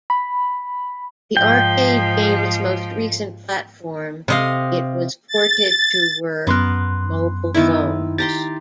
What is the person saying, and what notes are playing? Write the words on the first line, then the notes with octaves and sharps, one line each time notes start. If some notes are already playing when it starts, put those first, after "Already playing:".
The arcade game's most recent platform it was ported to were mobile phones.
B5
G#2 F3 G5
C3 D#5 F5
A6
F#2 B3 A#4 C6 F#6
D#3 B3 E4
G4 A#5 C6 A6